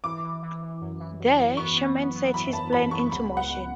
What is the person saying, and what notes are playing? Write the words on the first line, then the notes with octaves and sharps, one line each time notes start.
There, Sherman sets his plan into motion.
E3 D6
E3
E3
E3
F#2
E3
F#2
F#2
B3 C#6
B3
B3
B3
E3 B5
F#2 A5
F#2 B5
B3 C#6
C#2 B5
C#2
F#5
C#2